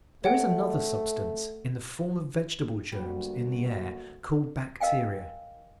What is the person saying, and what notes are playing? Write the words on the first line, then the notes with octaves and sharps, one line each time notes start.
There is another substance in the form of vegetable germs in the air called bacteria.
A3 C#5 F#5 G5
D2 G3 A#3 F#4
A#4 D#5 F5 G5 G#5